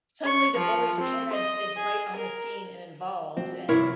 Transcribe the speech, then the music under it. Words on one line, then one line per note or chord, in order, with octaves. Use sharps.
suddenly the bully's parent is right on the scene and involved, and,
C#6
F3
C4
D#5
G#4
A#4
F3 C4 F#4
G2 C3 E4 F4 A#4 C#5